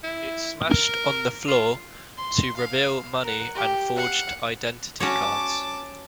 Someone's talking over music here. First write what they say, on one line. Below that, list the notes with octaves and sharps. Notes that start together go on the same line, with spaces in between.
It smashed on the floor to reveal money and forged identity cards.
E4
A#4
F4
C6
F5
A#4 F#5
G4
F5 F#5
C#4 F#4 C#5 A5 D6